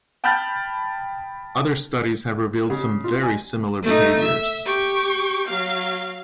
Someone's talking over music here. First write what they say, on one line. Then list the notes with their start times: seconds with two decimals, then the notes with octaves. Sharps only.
Other studies have revealed some very similar behaviors.
0.24 G5 A5 B5 F6 G6 A6
2.70 C#3
3.04 F4
3.23 G#5
3.83 A3 D#4
4.20 E5
4.65 G4 C#6
5.47 F#3 F5